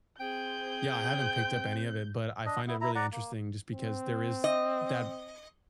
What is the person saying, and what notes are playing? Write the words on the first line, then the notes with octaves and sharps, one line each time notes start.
Yeah, I haven't picked up any of it, but I find it really interesting just because there is that
C4 G#4 G5 G6
D4 D#5
B3 E4
E4 A#5
D5 F#5 A#5
A#3
C4
D#5